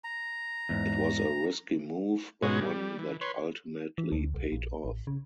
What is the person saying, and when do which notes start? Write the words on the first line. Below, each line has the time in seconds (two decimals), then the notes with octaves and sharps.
It was a risky move, but one that ultimately paid off.
0.04 A#5
0.69 E2 G#2
2.43 G#2 B2 G#3 C#4 F#4
2.61 G3
2.98 E3
3.21 B4 C#5 C6
3.98 E3
4.12 D2
4.34 B1
4.52 A#1
4.85 A1
5.07 C#3